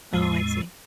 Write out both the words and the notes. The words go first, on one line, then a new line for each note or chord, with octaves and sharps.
Oh, I see.
E2 A2 G#3